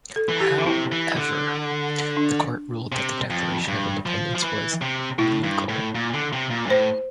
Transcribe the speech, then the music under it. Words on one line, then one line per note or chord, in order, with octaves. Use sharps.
However, the Court ruled that the declaration of independence was legal.
A4
E3
G4
D3
C3 E4
E3
D3
D4
C3
F2
G2
F3
F3
E3
C3
A2 E4
G2
A2
A#2
D3
C3
A#2
G2
A2 C5